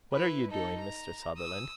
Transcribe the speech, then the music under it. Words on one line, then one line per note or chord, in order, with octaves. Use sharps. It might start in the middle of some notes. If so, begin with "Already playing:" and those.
"What are you doing, Mr. Sutherland?"
E4 B4
D#4 A4
A#5
D#6 E6